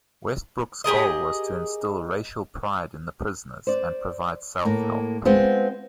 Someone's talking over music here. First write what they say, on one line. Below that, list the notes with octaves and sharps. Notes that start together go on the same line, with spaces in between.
Westbrook's goal was to instill racial pride in the prisoners and provide self-help.
G4 G#4 A#4 D#5
C5 D5
A2 A#3
G#3 B3 C4 F4